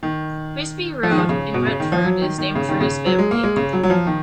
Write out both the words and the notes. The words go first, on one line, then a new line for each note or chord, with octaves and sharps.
Bigsby Road in Retford is named for his family.
D#3
F3
D#3
F3
C#3
B2
C#3
D#3
F3
F#3
D#3
D#3
C#3
D#3
C#3
F#3
G#3
A#3
G#3
C#3
F#3
F#3
F3
D#3